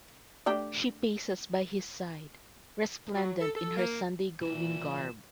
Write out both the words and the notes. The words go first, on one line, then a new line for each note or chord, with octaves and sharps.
She paces by his side, resplendent in her Sunday-going garb.
A3 D4 G4
F#3
A4
A4
A#3
B1 A#2 E3 E7